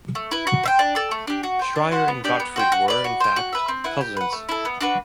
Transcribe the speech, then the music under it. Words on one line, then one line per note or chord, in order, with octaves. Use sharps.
Shreyer and Gottfried were, in fact, cousins.
A3
E4 B4
F#4
C5 E5 G5
D4
A4 D5
A3
D4 G4
F#4
C5 G5
D4
F#4 C5 F#5
B3
D4 G4 D5
B3
F#4 C5 G5
F#4
B4 D5
F#4
C5 G5
F#4
B4 E5
C4
E4 B4 F#5
G4
B4 F#5
A3
E4 A4
B3
D4 F#4 B4